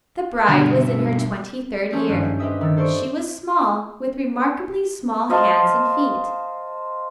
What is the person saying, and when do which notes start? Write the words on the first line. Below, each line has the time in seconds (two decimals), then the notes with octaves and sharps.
The bride was in her twenty-third year. She was small, with remarkably small hands and feet.
0.48 G2 B2 D3
0.76 E5
1.92 F3 A3 C#4 G#4 C#5 G6
2.08 G#1 G2 G3 G#3 F#6
2.22 G6 B6
2.39 G4 B4 C5 D#5 E5 D#6
2.61 D#3 E6 A6
2.76 A4 C5 D5 C#6
5.29 C5 D#5 F5 A5